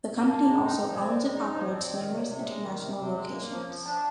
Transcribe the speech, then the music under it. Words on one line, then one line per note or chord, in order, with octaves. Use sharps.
The company also owns and operates numerous international locations.
A#2
A#3 A5
G#3 A#5
D#4
G5
F3
D5
C4
G#3 C#5
D#4
D5
F3
D5
C#5
C4
D5
D#3 D#5
C3
C#5
C3 D5
G#3
D#3
C3
C3
G#3
A#3 C#5
F3
F3
D4 A5